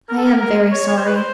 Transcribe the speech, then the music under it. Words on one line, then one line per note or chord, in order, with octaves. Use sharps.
I am very sorry.
A#4
A4
A#4
A#4
C#5
C#5
C5
B4
C5